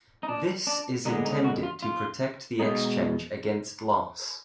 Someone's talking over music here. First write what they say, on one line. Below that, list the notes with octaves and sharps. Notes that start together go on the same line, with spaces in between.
This is intended to protect the exchange against loss.
D#4
D4
D4
D3 G#3 B3 D#4
D#4
F#4
F4
F4
B2 G#3 B3 D#4